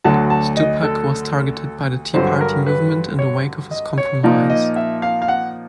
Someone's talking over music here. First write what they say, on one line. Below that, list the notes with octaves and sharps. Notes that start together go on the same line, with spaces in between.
Stupak was targeted by the Tea Party movement in the wake of his compromise.
D2 D3 F#3 A5
A5
D#5
A4
G2 D3 F#3 C5
A#4
B4
C#5
D#5
C#5
A#2 F3 A#3 D#4 D5
D#5
E5
F5
F5
F#5